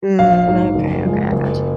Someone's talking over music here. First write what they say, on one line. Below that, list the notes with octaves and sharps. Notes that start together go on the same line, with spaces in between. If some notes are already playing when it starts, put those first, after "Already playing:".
Mm, okay, okay, I got you.
A#1 F5
G#2 F#3
F#1
F#2 F3 G#3
F#1